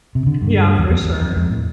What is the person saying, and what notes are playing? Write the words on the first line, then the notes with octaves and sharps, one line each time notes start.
Yeah, for sure.
C3
D3
G2
E2
F2
E2
F2
F2
A2